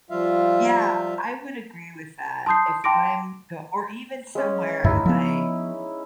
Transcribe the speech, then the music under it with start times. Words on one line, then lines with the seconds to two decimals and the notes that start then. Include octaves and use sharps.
Yeah, I would agree with that. If I'm go or even somewhere like
0.10 F3 G3 F4 E5 F5
2.46 A5 C6 D#6 G6 C7
2.84 G5 A5 C6 D6 A#6 D7
4.35 G#3 C#4
4.84 D2 G2 D#4 E4
5.06 F3 B3